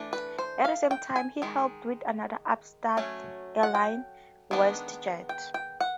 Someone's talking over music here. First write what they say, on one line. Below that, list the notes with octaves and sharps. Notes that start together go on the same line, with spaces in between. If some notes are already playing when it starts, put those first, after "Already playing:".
At the same time, he helped with another upstart airline, WestJet.
Already playing: E3 A3 D4
B4
C5
F5
G5
G#5
D#3 G#3
F#3 A3 C#4
F#5
G5
D#3 G#3 B3 D4
G5
G5
F#5